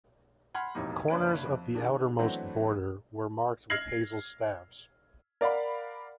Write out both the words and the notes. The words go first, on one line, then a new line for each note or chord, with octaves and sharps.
Corners of the outermost border were marked with hazel staves.
F#5 G#5 B5 C6 F6 G#6
E1 F2 A2 A#3 D#4 G4
F#1 D4 B4 C#5 F#6 D7
F2
D#3 D4 G4 G#4
E3 F#3 A3 B3 C4 D4
F6 G#6 A#6 C7 F#7
A#4 D5 F5 F#5 B5